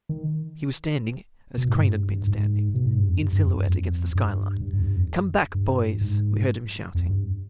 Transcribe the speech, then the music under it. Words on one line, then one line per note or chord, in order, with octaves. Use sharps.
He was standing as Crane had been standing, in silhouette against the sky-line. "Come back, boys," we heard him shouting.
D#3
B2
G#2
G2
G#2
B2
G#2
G2
F2
G2
G2
F2
G2
F2
G2
G2
G2
F2
G2
F2
G2
G#2
F2
G2